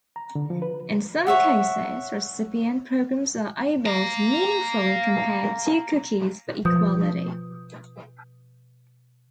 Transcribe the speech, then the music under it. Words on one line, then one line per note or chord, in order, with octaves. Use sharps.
In some cases, recipient programs are able to meaningfully compare two cookies for equality.
A#5
D3
F3
B4
C#5 E5 F#5
F5 A#5
B2 F3 G6